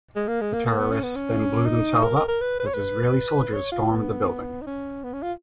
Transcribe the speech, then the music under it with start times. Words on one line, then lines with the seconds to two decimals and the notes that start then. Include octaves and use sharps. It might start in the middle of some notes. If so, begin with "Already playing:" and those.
The terrorists then blew themselves up as Israeli soldiers stormed the building.
0.16 G#3
0.28 A#3
0.41 G#3
0.53 A#3
0.65 A#3
0.78 B3
0.91 C#4
1.03 B3
1.16 C#4
1.66 D#4
2.03 A#4
2.16 A#4
2.28 A#4
2.41 B4
2.59 B4
2.67 C#5
2.74 B4
3.53 C#5
3.72 F4
3.91 B3
4.61 D#4
4.67 C#4
5.04 B3
5.13 C#4
5.22 F4